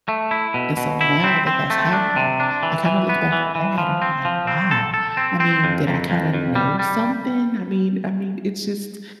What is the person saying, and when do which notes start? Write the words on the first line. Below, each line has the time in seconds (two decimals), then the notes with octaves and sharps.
and so now that that's happened, I kinda look back on that, and I'm like, "Wow." I mean, did I kinda know something? I mean I mean, it's just
0.08 A3
0.31 E4
0.54 B2
0.77 B2
1.01 E4
1.24 C4
1.47 C4
1.70 A3
1.93 D4
2.16 C3
2.40 D4
2.63 E3
2.86 E3
3.09 B3
3.32 E3
3.55 E3
3.78 F3
4.02 C4
4.25 F3
4.47 C4
4.71 A4
4.94 A4
5.17 C4
5.40 C4
5.64 F2
5.87 F2
6.10 F2
6.33 F2
6.55 G3
6.79 G3